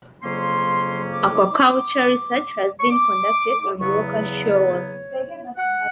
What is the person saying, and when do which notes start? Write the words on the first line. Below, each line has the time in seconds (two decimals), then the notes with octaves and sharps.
Aquaculture research has been conducted on Walker Shoal.
0.23 F2 C#3 F#3 A#3 C#4 C6
1.12 D6
2.80 C#6
2.90 D6
3.79 E2 C#3 F#3 B3 C#6
4.46 D5
4.67 C#5
5.57 F#5